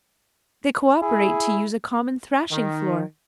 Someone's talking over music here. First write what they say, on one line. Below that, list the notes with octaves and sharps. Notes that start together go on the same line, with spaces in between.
They co-operate to use a common thrashing floor.
E4 G#4
D#3